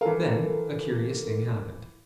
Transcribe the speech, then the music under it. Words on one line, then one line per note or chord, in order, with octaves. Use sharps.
Then a curious thing happened.
E3 A4 A#4 F5